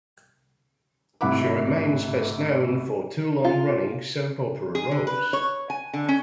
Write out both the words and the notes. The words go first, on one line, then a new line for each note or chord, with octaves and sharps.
She remains best known for two long-running soap opera roles.
G#1 A2 C3 F#5 B5 D6
F4
G#4
D3
B4
C#5
G#5
D3
C#4